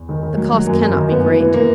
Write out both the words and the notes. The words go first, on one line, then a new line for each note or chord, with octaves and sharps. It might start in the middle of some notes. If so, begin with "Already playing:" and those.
The cost cannot be great.
Already playing: E2
D#3
D#3
F#3
F#3
F#2 A#3
F#2
D#3
F#2 B3
E3
E3
E3 A#3